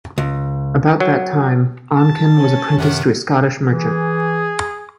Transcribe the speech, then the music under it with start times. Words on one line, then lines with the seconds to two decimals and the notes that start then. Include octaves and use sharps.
About that time, Oncken was apprenticed to a Scottish merchant.
0.18 C#2
1.00 F#3
1.96 A5
2.36 C#4
2.78 F#2 C3 D#3 F#5
3.67 E3 G#4